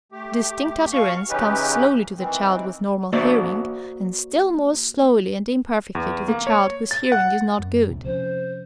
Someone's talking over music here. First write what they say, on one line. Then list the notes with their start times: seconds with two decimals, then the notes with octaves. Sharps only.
Distinct utterance comes slowly to the child with normal hearing, and still more slowly and imperfectly to the child whose hearing is not good.
0.12 A3 G4
0.92 B2 F5 C#6
1.29 C#3 E3 C#4 D#4 G4 B4
2.17 D#3 E3 C4
3.13 A#3 F#4 C5 D5 E5
5.95 E2
6.28 A#3
6.47 C#5
6.91 A6
7.12 F#5
7.59 F#2
7.90 D#1 C#2 C3
8.04 C3 F3 C#4 C5